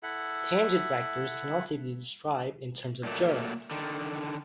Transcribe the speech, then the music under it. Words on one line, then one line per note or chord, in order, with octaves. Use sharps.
Tangent vectors can also be described in terms of germs.
E4 A4 E5 F#5
A#2 F#3 A3 A#3
D3 D#3